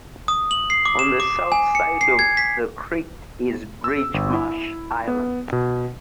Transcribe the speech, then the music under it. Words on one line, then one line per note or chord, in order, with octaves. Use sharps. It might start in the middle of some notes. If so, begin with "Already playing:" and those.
On the south side of the creek is Bridgemarsh Island.
D#6
F#7
C7
D6
E7
D6
G#5
C#7
C7
G#6
B6
E6
G1
E4
B3
B2